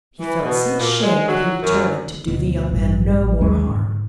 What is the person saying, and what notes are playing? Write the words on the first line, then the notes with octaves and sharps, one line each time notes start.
He felt such shame that he determined to do the young man no more harm.
E3
B2
A#2
G#3
F#3
F#2
D2 B2
A1 G2
A1
D#2 F#3 G#3 C#4
G#2